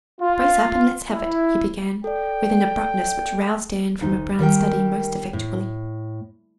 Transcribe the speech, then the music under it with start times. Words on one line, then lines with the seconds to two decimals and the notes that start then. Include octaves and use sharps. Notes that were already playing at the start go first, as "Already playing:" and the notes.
Brace up, and let's have it,' he began, with an abruptness which roused Dan from a brown study most effectually.
0.21 F4
1.12 E4
2.04 A4 D5 G5
4.01 D2 D#4
4.39 D#3 G3 A#4 G5
5.33 A2